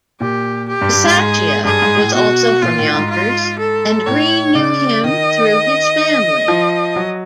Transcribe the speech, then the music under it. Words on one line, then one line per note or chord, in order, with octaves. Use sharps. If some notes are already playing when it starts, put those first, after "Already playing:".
Bissacia was also from Yonkers and Greene knew him through his family.
A#2 G4
G4
G2
G2
G#2
G#2 G#4
G2 G#4
G#2
A2
B2 F#4
A#2 F4
A2
G#2
F4
A4
A2 C#5
C#3 D5
D#3 D#5
F3
F#3